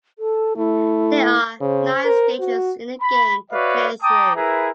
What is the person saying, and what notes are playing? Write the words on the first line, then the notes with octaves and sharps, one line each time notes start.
There are nine stages in the game to play through.
A4
A3 E4
C#3 C5
A#4
F#4
B5
F#4 B4 C#5 D5 E5 F5
G5 A5 A#5 D6 D#6
E4 G#4 A#4 B4 E5 A#5